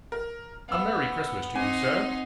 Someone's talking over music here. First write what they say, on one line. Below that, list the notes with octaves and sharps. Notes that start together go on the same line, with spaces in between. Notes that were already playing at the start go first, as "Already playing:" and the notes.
A merry Christmas to you, sir!'
A#4
B3 F5 E6
C4 D#4 G#5 C6